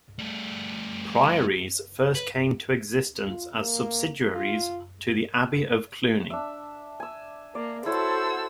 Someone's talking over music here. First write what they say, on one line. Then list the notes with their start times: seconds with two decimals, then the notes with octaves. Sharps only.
Priories first came to existence as subsidiaries to the Abbey of Cluny.
0.19 G3 A3
2.15 B4
3.28 F4
3.58 A#3
4.34 F4
6.30 D4 E5
7.00 G#5 E6
7.55 A#3 D5
7.86 E4 F#4 A4 C5 C#5 E6